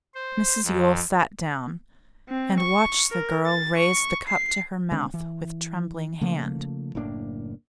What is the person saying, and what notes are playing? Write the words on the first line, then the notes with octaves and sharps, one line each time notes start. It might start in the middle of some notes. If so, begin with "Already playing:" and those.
Mrs Yule sat down, and watched the girl raise the cup to her mouth with trembling hand.
C5
F2
C4
C#6
A#4
A6
C#6
C7
D3 G#3 C4 D4
E3
C#3 F3 A3 A#3
F#1 A2 A#3 D4